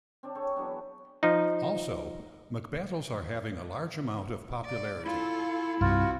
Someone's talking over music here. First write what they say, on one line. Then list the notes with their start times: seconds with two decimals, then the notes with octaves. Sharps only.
Also Mc Battles are having a large amount of popularity.
0.23 C4 D4 D5
0.35 G#4 A4 C#5 G5
0.56 E3 F#3 B3 D4
1.23 F3 D#4
4.65 D5
5.06 E4 F4 A4
5.81 C2 G2 C4 F4 F#4